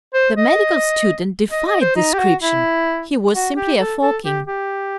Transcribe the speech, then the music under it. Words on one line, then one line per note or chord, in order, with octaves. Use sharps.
The medical student defied description: he was simply a Fokin.
C5
D#5
D#5
D#5
C5
D#4
G4
F#4
E4
F#4
G4
A4
A4
G4
G4